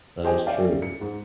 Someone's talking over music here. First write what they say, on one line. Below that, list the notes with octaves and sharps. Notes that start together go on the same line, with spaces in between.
That is true.
G4 C5 D#5 G5 G#5
C#4 D5 E5 F5 G5
C#7
G#2